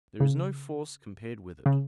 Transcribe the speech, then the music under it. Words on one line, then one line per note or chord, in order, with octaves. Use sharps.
There is no force compared with it.
C#3
C#3